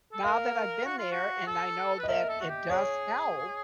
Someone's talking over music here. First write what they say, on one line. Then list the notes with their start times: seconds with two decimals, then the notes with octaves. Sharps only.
now that I've been there and I know that it does help,
0.13 A4
0.24 A#4 F5
0.85 F#4
0.98 F4
1.12 F#4
1.47 A4
1.99 B4
2.03 D#5
2.08 A#4 E5
2.29 A4
2.41 F#4
2.49 G4
2.70 G#4 C#5